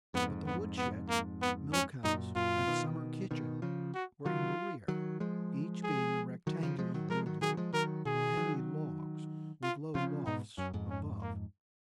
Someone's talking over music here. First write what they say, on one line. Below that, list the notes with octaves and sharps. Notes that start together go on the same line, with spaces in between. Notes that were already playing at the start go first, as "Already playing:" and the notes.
But the wood-shed, milk-house and summer kitchen were in the rear, each being a rectangular building of heavy logs, with low lofts above.
F2 G#2 B3
B3
B3
A#3
B3
C#4
F#2 A#2 D#4
F#2 A#2 F4
B2 D#3
B2 D#3
C#3 F3
F#4
D#3 F#3 F4
D#3 F#3
F3 G#3
G#4
D#3 F#3
C#3 F3
F3 G#3
D#3 F#3
F3 G#3 A#4
D#3 F#3
D#3 F#3 G#4
F3 G#3
D#3 F#3 A#4
B2 D#3 G#4
D#3 F#3
F4
C#3 F3 F4
G#2 B2 D#4
F#2 C#4
F2 G#2
C#4
A#3